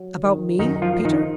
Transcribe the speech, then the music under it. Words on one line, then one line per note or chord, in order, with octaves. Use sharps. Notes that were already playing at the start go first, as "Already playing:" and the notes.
"About me, Peter?"
Already playing: F#3
D#3
F#2 D#3 D#4
F3 F4
F3
D#3 D#4